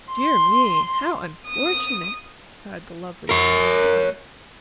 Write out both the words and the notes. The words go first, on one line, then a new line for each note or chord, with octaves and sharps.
"Dear me, how unfortunate!" sighed the lovely Rainbow's Daughter.
C6
D#6
A#4 C#5